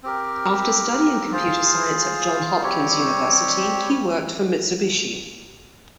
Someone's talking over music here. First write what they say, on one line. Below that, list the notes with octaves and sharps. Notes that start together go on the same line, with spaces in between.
After studying computer science at Johns Hopkins University, he worked for Mitsubishi.
C4 G4 A#4
F4 G#4 C5 F5
G3 C4 G4 C#5